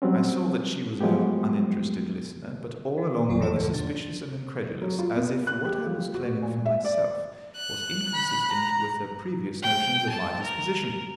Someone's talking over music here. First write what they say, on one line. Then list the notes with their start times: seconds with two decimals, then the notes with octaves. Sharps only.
I saw that she was no uninterested listener, but all along rather suspicious and incredulous, as if what I was claiming for myself was inconsistent with her previous notions of my disposition.
0.02 F#3 G3 C4 C#4
1.01 F3 F#3 G#3 A3 B3 G4
2.98 D#3
3.28 G1 F2 F#3 F4 D5
3.40 F2 E3 F3 A4
3.56 E2 G#2 B2 D3 F3
3.74 D4
4.82 F#3
4.99 F4
5.16 B3
5.47 F#6
5.65 G4
5.87 F3
6.15 F#4
6.42 A#2
6.66 E5
6.84 D5
7.57 F#6
8.14 B5
8.52 A#5
9.62 G5
10.09 A5
10.43 A#4